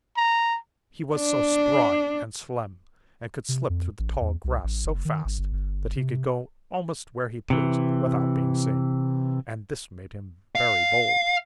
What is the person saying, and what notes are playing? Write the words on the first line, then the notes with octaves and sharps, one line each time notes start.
He was so spry and slim, and could slip through the tall grass so fast, that he could go almost where he pleased without being seen, and this made him very bold.
A#5
D4
C3
F2
A1
E2
C2
A1
F#1
D#3
G#1
G1
G1
C3
C3 E3
F5